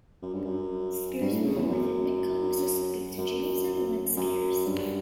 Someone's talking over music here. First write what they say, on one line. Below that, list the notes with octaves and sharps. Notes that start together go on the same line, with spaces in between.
Spears was born in McComb, Mississippi, to James and Lynne Spears.
F#2
G2
F#2
G2
A2
C#3
E2
F#2
F#2
F#2
G2